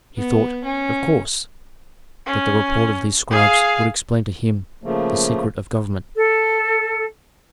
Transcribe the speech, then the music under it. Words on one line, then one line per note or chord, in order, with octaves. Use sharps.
He thought, of course, that the report of these scribes would explain to him the secret of government.
B3
C#4
C#4
G#4 F5
C#3 F3 A3 A#3
A4